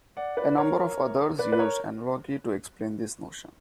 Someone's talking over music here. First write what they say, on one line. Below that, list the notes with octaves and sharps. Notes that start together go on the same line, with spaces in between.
A number of others used analogy to explain this notion.
D5 F#5
B4 D5
A#4 C#5
B4 D5
B4
A#4 C#5